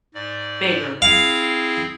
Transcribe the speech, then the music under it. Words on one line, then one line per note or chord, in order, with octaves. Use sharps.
bigger than that.
G#2 D5
C4 E4 G#4 F5